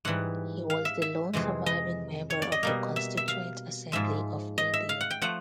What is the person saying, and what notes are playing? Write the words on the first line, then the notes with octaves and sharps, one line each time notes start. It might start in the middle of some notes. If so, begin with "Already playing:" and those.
He was the lone surviving member of the Constituent Assembly of India.
G#2 E3 G3 F#5
F5
E5
E5
F2 C3 E3 G#3
D#5
C#5
D5
D#5
B2 G3 A#3
E5
E5
F5
G#2 F3 G#3 E5
D#5
E5
F5
F#5
G5
F3 A3 F#5